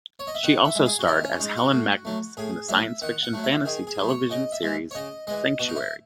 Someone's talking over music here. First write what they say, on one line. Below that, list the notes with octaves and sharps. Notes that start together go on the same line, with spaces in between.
She also starred as Helen Magnus in the science fiction-fantasy television series "Sanctuary".
C#5
D#5
E5
D#3 F#5
E5
G#3
G#4
F#4
D#3 E4
C#4
G#3 D#4
F#4
A2
F#3 A3
A2 G#4
F#3 A3 E5
D#3 F#5
F#5
F#3 A3
E5
D#3 G#4
G#4
F#3 A3
C#5
C#3 D#5
E5
E3 G#3
C#5
C#3 D#5
E3 G#3 D#5
B2 F#4
D#4
E4